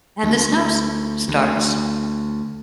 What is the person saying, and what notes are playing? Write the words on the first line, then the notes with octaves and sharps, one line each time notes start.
and the snow s starts,
D2
D2